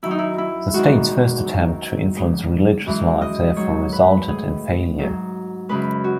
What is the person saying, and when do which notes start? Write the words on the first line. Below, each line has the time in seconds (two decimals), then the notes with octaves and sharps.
The state's first attempt to influence religious life therefore resulted in failure.
0.03 F#2 D#3 F#3 E4
0.11 D#4
0.18 E4
0.38 E4
0.74 E2 D#3 G#3 F#4
1.45 F#2 D#3 F#3
2.15 E2 C#3 G#3
2.86 F#2 E3 G#3
3.21 D#5
3.56 G#2 F#3 C#5
3.92 B4
4.28 A2 G#3 G#4
4.99 G#2 F#3
5.69 F#2 C#3 G#3 B4
6.04 F#4